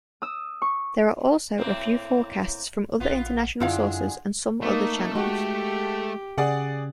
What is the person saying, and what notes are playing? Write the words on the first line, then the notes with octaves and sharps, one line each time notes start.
There are also a few forecasts from other International sources and some other channels.
D#6 E6
C#6
A2 A#3 C4
A#1 B3 F4
F#2 D3 G#3 E4 F4 F5
A3 A#3 D#4
G#3 F#4 G4
C#3 G#4 D5 F#5